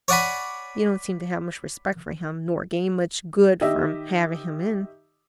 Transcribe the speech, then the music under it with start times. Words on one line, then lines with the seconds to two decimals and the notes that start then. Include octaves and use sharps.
'You don't seem to have much respect for him; nor gained much good from having him in.'
0.08 C#5 D5 F#5 G#5 B5
3.61 D#3 G4 D#5 E5 E6